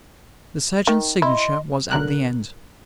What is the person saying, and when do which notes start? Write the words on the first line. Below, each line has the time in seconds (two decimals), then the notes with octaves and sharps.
The surgeon's signature was at the end.
0.87 D#3
1.22 E4 D#5 C6
1.91 B1 D3 A#4 F#6